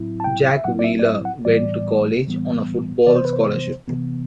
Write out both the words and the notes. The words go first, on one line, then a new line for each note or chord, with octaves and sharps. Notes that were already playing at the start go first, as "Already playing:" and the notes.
Jack Wheeler went to college on a football scholarship.
Already playing: A2 F#3 C4 E4
A5
G5
E5
A2 F#3 C4 E4 F#5
D5
E5
D5
E5
F#5
A2 E3 G3 B3 D5
A2 E3 G3 B3
C3 E3 B3 D5
C5
B4
C5
C3 E3 B3